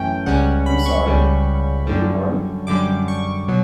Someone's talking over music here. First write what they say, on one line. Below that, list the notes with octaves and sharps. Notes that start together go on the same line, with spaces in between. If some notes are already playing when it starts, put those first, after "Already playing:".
I'm sorry. I beg your pardon.
Already playing: F#2 E3 A3 C#4 G5
C#2 C#3 G3 C#4 F#5
B5
C#6
C#2 C#3 G3 C#4
F#2 D3 G3
F#2 D3 G3 D6
C#6
B2 F#3